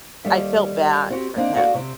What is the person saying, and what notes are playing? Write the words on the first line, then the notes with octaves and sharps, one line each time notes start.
I felt bad for him.
D#2 G3 D#4 A4 E5
C4 F#4 G4
A#3 C4 D4 D#4
F#4 G#4 A4 D5 F5 F#5
C3 C4